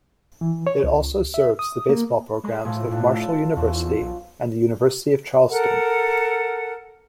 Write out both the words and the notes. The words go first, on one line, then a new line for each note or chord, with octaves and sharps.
It also serves the baseball programs of Marshall University, and the University of Charleston.
E3
C#5
C#2
E5
D#6
A#3
G#3
A2 E3 F3 G#4
C#3 D4
A4 A5
E2 F3 F#4
B1
A4 A#4 F#5